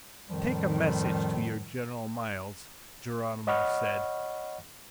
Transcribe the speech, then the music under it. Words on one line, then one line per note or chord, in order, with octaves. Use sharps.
"Take a message to your General Miles," Geronimo said.
F2 A2 D#3 F3 G3
C#5 D#5 F#5 B5 C#6 F6